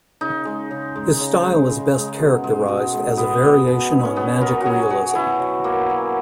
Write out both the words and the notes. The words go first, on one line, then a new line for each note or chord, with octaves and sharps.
His style is best characterized as a variation on magic realism.
C#3 D#4
G#3
C#3
G#3
C#3
G#3
C#3
G#3
B2
G#3
B2
G#3
B2 B3
G#3
B2
G#3
C#4
B2 B3
F#3 A#4
F#4
B2 G#4
F#3 F#4
B2 E4
F#3
B2 A#3
F#3